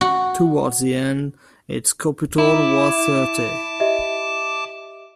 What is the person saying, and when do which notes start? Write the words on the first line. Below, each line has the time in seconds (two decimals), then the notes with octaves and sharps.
Towards the end, its capital was Cirta.
0.01 F#4
2.38 E4 A5 D6
3.80 G4 D#5 E5